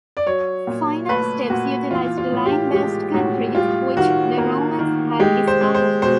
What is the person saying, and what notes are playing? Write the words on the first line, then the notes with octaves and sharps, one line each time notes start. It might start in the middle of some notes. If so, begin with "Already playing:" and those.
The final steps utilized lime-based concrete, which the Romans had discovered.
D5
F#3 C#5
A#2
A3 B4
A#2 F#4
E3 F4
F4
A2
G4
G#3 G4
A2 F#4
G3 F4
D#3 F#4
A#3
D#3
G#3 G4
C5
G#3
C5
B2 C5